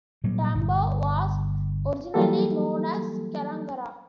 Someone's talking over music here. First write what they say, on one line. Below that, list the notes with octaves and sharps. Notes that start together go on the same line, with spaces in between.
Tambo was originally known as Carrangarra.
A#2 F#3 G3
G1
E3 F#3 G3 A#3 G4 A4